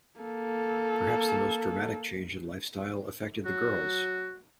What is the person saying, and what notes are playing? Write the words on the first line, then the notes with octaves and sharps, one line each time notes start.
Perhaps the most dramatic change in lifestyle affected the girls.
A#3 A4
F#3 F#4